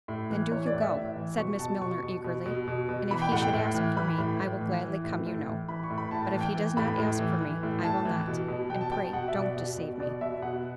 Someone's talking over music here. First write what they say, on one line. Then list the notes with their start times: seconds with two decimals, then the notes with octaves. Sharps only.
"Then do you go," said Miss Milner, eagerly; "and if he should ask for me, I will gladly come, you know; but if he does not ask for me, I will not--and pray don't deceive me."
0.08 A2
0.30 E3
0.51 E3 C#5
0.66 D5
0.73 A2
0.81 E5
0.95 A2
1.16 E3
1.37 B2 C#6
1.59 B2 A5
1.81 B2 C#6
2.03 B2
2.24 B2
2.46 B2
2.68 B2
2.89 B2
3.11 E3 B5
3.22 G5
3.32 A2 F#5
3.42 G5
3.53 A2
3.74 E3
3.97 E3 B5
4.18 A2
4.40 A2
4.61 E3
4.82 E3
5.04 A2
5.26 A2
5.47 E3
5.68 E3 B5
5.83 C#6
5.90 A2
5.98 B5
6.11 A2 A5
6.26 A5
6.33 E3
6.41 G5
6.54 E3
6.77 A2 B5
6.98 A2
7.19 E3
7.41 E3
7.63 A2
7.83 A2 A5
8.05 E3
8.28 B2
8.48 B2
8.70 B2 G5
8.81 A5
8.91 B2 G5
9.03 A5
9.13 B2 F#5
9.28 E5
9.35 B2
9.42 D5
9.57 B2
9.77 B2
10.00 B2 D5
10.21 B2 E5
10.42 B2 F#5